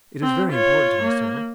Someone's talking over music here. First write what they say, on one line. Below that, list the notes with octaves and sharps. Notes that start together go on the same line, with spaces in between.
"It is very important to me, sir."
C4
F4 C#5
A#3